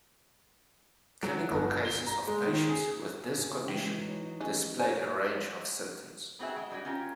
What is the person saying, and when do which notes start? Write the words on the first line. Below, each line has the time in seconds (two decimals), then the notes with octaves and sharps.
Clinical cases of patients with this condition displayed a range of symptoms.
1.23 F#3
1.51 G1
1.85 G7
2.06 A#5
2.27 G#3
2.46 D#3
2.69 G#4
3.38 C#3
3.68 E3 G#3 E4 G5
3.98 F#3 D#4
4.40 A1 D#3 G#3 C#4
4.79 A#4 C5 C#5 G#5
6.39 B3 C4 F#4 G#4 E5
6.56 G#3
6.71 G2 G3 B3 F#4 G4
6.85 C#4 F4 G4 A#4